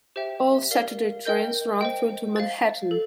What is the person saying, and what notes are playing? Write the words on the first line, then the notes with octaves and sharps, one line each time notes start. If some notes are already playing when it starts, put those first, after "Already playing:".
All Saturday trains run through to Manhattan.
G4 C5 E5 G5
A#4 D5 F5
A#4 D#5 G5 G6
C5 D#5 G5
C5 F5 A6
A4